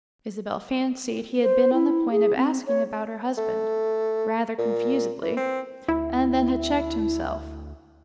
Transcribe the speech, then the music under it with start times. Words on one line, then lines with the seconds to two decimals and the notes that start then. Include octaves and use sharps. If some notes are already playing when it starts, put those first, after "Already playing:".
Isabel fancied he had been on the point of asking about her husband--rather confusedly--and then had checked himself.
1.42 C5
1.73 E4
2.11 G#4
2.36 C4
2.67 C#5
3.37 A3
4.58 A#2
5.22 E3
5.37 C4
5.88 D2 E4